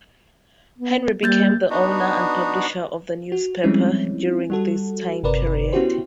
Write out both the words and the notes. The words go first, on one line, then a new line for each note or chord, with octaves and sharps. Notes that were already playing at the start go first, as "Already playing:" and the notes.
Henry became the owner and publisher of the newspaper during this time period.
B3
G3 A#3 G6 A6
B3 D4 D#4 F#4
F#4
F3 G3 G#3 C4 C#4 E4
G3 F#4 A4
G1 C3 A#4 B4 D5
B3 C#4 E4 F#4 G4 C5